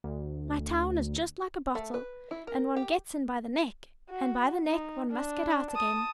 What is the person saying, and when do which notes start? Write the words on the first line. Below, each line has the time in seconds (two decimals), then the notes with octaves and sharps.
My town is just like a bottle; and one gets in by the neck, and by the neck one must get out again!
0.04 D2
1.75 A3
1.94 B4
2.31 E4
2.47 A#4
2.76 G4
4.10 F#4
4.69 D#4
5.11 D4
5.72 A5 D#6